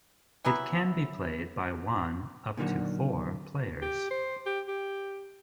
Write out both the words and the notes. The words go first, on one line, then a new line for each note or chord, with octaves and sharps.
It can be played by one up to four players.
E3 F#3 B3 E4
A#2 D3 D#3 F3 F#3
G4
C5
G4
G4